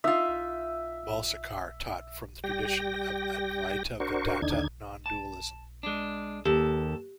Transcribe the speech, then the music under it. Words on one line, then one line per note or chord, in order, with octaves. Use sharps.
Balsekar taught from the tradition of Advaita Vedanta nondualism.
D#4 F4 E5
G3 G4 G5 A#6
D4 F#4 A#4 C5 C#6
D#2 D3 D4 D#4 G#6
A5
G#3 D4
D#2 G4 A4